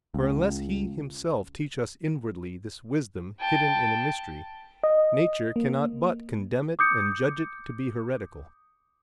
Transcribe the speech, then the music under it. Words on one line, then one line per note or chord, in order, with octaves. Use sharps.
For unless He himself teach us inwardly this wisdom hidden in a mystery, nature cannot but condemn it and judge it to be heretical.
C#2
G5 A5
D#5
A#3
D6 D#6 G6 C#7